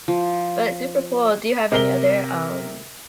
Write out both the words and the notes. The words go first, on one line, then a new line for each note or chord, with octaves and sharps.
but super cool. Do you have any other, um,
F3
C3 A#4 G7